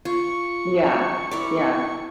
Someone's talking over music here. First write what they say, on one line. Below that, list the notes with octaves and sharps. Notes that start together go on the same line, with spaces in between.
Yeah. Yeah.
F4 C#6
E4 A#4 D5